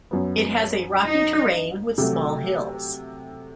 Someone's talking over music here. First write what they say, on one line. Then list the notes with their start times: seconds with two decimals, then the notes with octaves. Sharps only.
It has a rocky terrain with small hills.
0.11 F#2 F#3 B3
1.05 D#4
1.98 C3 F#3 A3